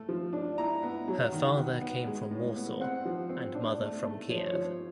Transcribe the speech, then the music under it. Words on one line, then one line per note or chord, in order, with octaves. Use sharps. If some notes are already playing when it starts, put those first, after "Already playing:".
Her father came from Warsaw and mother from Kiev.
Already playing: A3
F3
D4
E4 A#5
B3
F#3
D#3
B3
B3
G#3
A2
B3
C4 F#5
F3
C4
D4
A3
A3
F3 C#5
C5
C#5
F3